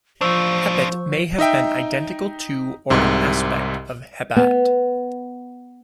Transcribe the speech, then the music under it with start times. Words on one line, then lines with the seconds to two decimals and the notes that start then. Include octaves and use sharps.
Hepit may have been identical to or an aspect of Hebat.
0.21 F3 D4 F4 C5 C#6 E6
1.38 D#4 D#5 E5 G5
2.90 C2 G#2 C3
4.36 B3